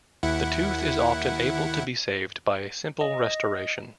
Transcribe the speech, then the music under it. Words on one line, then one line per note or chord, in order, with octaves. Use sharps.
The tooth is often able to be saved by a simple restoration.
D#2 E4 F#5
D#5